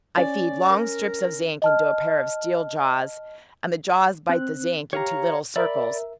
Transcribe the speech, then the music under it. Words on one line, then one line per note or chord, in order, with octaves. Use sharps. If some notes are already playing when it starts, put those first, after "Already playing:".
I feed long strips of zinc into a pair of steel jaws, and the jaws bite the zinc into little circles.
C#4 D5
A#4
D#5 A5 F6
C4 F#6
G4 C#5 F5 A#5
A#4 D5 E5 B5